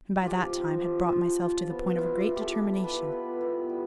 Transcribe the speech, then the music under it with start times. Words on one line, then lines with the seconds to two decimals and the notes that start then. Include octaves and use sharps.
And by that time had brought myself to the point of a great determination.
0.22 F4
0.27 F3 G4
0.56 C4
0.84 F3
1.13 F4
1.41 F4
1.70 B3
1.98 E4 F4
2.21 F4
2.27 E4
2.36 G4 A4
2.55 E4
2.84 F4 B4
3.12 B3
3.41 B3
3.69 G3